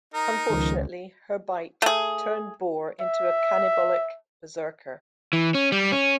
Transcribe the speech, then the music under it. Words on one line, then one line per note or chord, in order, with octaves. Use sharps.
Unfortunately her bite turned Boar into a cannibalic Berserker.
D#4 A#4
C#2 D#3 F3
A3 G#4
E5
E3
C#4
G3
C#4